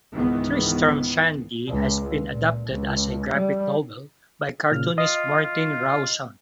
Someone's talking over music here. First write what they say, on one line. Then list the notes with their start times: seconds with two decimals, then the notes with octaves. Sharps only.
"Tristram Shandy" has been adapted as a graphic novel by cartoonist Martin Rowson.
0.14 C#2 G#2 D#3 E3 B3
1.69 C#2
2.31 A#2
2.67 C#2
3.32 G3
4.71 A#2 C#3 F6
4.98 F4 D#5
5.43 F4